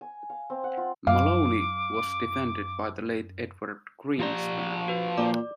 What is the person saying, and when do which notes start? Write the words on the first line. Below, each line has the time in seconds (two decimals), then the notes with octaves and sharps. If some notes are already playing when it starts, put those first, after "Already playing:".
Molony was defended by the late Edward Greenspan.
0.01 G#5
0.30 F5
0.50 C4
0.64 F#5
0.77 F4
1.07 F#2 F5 D6
4.19 F3 G4 D5 A#5
4.88 F#4 B4
5.18 A#2 D5 D6